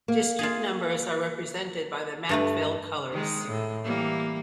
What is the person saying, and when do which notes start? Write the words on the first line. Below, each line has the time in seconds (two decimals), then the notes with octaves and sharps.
District numbers are represented by the map fill colors.
0.08 A#3
0.39 F4 G#4
2.29 G2 A3 B4
3.12 D#3 G#3
3.48 A2
3.84 E3 G3 A#3